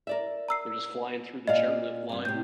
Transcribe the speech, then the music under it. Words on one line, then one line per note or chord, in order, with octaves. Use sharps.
you're just flying through the chairlift line.
A#4 D5 E5
A#5 E6 C7
A#2 D5 D#5 F5
G2 C3
A2 C3 G6